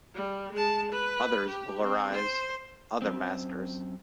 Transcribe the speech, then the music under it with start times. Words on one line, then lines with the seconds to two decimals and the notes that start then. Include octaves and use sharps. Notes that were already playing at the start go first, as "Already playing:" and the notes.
Others will arise — other masters.
0.15 G3
0.53 G#3 A5
0.92 B4
1.49 G4
1.82 C4
2.12 C5
3.02 F#2 A#2 C4